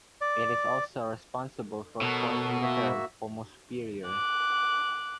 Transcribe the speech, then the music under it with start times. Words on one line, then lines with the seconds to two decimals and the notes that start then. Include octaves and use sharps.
It is also responsible for coining the term "homo superior".
0.21 D5
2.01 B2 A4 A#4 C#5
2.62 A#3 F#4 E5
4.07 D6 F#6